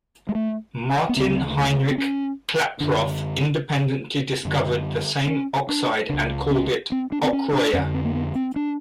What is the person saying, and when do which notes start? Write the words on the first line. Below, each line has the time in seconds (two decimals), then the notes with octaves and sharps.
Martin Heinrich Klaproth independently discovered the same oxide and called it "ochroia".
0.29 G#3
0.35 A3
1.09 B3
1.17 D2 C#3 C4
1.91 C4
1.98 C#4
2.80 F#2 D3 D4
4.45 F#2 D3
5.27 C#4
5.69 D4
6.09 C#2 C#3 D4
6.51 C#4
6.92 C4
7.12 D4
7.23 C4
7.33 C#4
7.53 D4
7.73 F2 C#4
7.78 D3
7.94 C4
8.05 A#3
8.15 B3
8.35 C4
8.56 D4